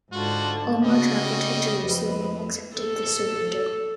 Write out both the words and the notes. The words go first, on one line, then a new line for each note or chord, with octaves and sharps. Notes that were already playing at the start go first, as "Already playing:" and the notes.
Omar travelled to Jerusalem and accepted the surrender.
G#2 D3 F4 F#4 A5
C#3 G3 F#4 D#5
F2 B4
A4